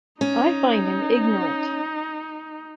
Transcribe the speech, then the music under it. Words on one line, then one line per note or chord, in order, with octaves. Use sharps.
I find him ignorant.
C#4 D#4